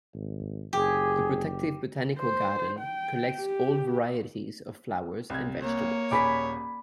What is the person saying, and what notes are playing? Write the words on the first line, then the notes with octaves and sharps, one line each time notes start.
The Protective Botanical Garden collects old varieties of flowers and vegetables.
G#1
F#1 G4 G#4
C5
G5
G4
C2 G#6
A#3 C#5
D#1 G#4 D5 G#5 B5 B6